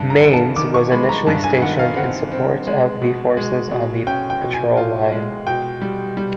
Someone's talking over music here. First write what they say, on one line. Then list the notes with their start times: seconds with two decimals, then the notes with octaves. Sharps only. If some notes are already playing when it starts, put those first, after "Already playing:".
"Mainz" was initially stationed in support of the forces on the patrol line.
Already playing: G2 A5
0.10 A#5
0.21 D#3
0.33 A5
0.56 D#3 D6
0.74 C#6
0.92 G#3 B5
1.09 A#5
1.27 G2 A5
1.44 G#5
1.62 D#3 F#5
1.79 F5
1.96 C4 F#5
2.32 C4
2.67 G#3
3.02 B2
3.37 G#3
3.71 B2
4.07 C#4 G5
4.30 G5
4.42 B2
4.53 G#5
4.77 F4
5.12 G#3
5.47 B2 G5
5.82 G3
6.17 G3